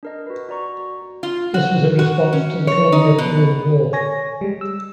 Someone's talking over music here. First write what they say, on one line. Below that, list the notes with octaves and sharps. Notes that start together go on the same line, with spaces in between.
This was in response to the Colombia-Peru War.
D4 A#4 D#5
F#4 B4
F#4 D5 A#5 C#6
F4
F#4
F#4
C#4
C#5
D#4
B2
C#5 G#5 A#6
G3 G#3
E6